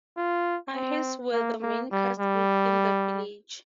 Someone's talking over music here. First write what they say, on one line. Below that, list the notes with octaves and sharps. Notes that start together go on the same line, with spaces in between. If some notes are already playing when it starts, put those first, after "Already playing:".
Ahirs were the main caste group in the village.
F4
C4
A#3
A#3
G3
G3